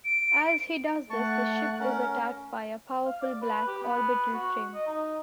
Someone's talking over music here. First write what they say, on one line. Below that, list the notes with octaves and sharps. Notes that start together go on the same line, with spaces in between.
As he does this, the ship is attacked by a powerful black Orbital Frame.
D7
A3 F#5 A5 C#6
C#4 A#4
F5
D5
B4
G4
B3
F#4
D#5
D#4